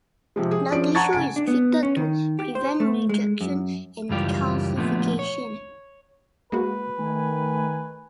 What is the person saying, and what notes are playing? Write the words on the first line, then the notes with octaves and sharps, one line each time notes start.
The tissue is treated to prevent rejection and calcification.
C3 F3 G#3
G#4
F3 C#4 D4 D5 D7
F#5 A5 A#5 C#6 G#6 A6
C#3 G#5 D7
D4
B3
C#4
D#3
G4
C5
A3
G#3
F#2
C#2 F#2 E3 G3 F4 G4
A#2 D3 F3 G#3 A3 B3
C#5
G#3 A#3 F#4 B4
D#3 A3 G#5